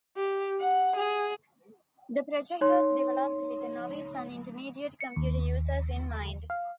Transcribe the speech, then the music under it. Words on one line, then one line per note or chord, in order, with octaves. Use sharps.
The project was developed with novice and intermediate computer users in mind.
G4
F#5
G#4
D#4 C#5 C6
C#7
D#2
F5